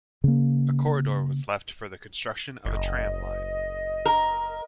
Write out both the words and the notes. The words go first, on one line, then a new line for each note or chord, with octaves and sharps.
A corridor was left for the construction of a tram line.
C#3 A#3
F#1 D#5
A#4